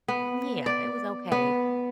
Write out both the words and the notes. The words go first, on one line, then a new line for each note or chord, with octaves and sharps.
Yeah, it was okay.
B3
D5
B3